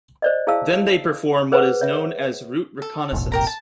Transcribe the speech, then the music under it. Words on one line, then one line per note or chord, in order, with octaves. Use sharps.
Then they perform what is known as route reconnaissance.
C5 D5 D#5
E4 G#4 C5 F5 A5 E6
G#4 B4 C5 F#5
C#5 E5
A4
E1 A1 B2
G4 A#4 A#5
A5